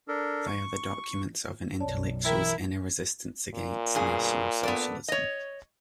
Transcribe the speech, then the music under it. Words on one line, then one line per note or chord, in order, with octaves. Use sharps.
They are the documents of an intellectual's inner resistance against National Socialism.
D4 A4 A#4
C#6
B1 F#2 C#5 D5 A5
E3 E4 A#4 G5
A#2
G2 B2 G#4
B3 A4 D5
C#5 D#5